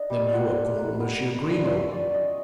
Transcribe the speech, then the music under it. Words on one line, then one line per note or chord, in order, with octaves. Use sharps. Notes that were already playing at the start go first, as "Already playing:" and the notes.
"Then you are called Monsieur Grimaud?"
Already playing: D4 D#4 D#5
G3 G5
F4 F#5
F4
A#3
B3
B3
G3
C#4 E5
F4 D5
C#4 D#5